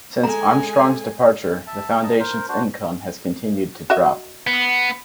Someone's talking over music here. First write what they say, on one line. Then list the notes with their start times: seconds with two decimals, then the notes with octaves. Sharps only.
Since Armstrong's departure, the foundation's income has continued to drop.
0.23 G#3 A4 G#5 A#5
1.67 E5 A5
2.03 D#5 A5 A#5
2.19 A#4 C5
2.48 D4 F#4 C5
3.90 F#4 D#5 E5
4.47 B3